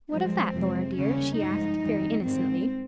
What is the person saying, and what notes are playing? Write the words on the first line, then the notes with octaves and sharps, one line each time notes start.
"What of that, Laura dear?" she asked, very innocently.
G2 F3 G#3 C4
F2 C3 F3 G#3
D#2 C#3 G3 C#4
G2 F3 G#3 D#4
F2 D#3 G3
G#2 D#3 G3 C4